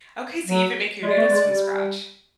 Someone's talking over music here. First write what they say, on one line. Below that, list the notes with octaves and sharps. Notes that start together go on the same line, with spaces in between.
Okay, so you even make your noodles from scratch.
F#3
G#3 D5
A3
G#3
G3